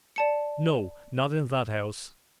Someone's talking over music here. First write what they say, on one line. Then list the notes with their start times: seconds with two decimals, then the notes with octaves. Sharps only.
'No! not in that house!
0.16 D5 A5 C#7